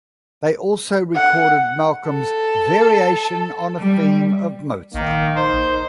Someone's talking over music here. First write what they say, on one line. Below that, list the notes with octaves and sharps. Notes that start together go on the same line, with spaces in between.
They also recorded Malcolm's "Variations on a Theme of Mozart".
F#5
A4
G3
A#1 D#3 A#3
D#4 C5